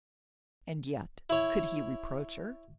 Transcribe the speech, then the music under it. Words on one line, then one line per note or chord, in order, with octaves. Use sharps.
And yet, could he reproach her?
E4 C#5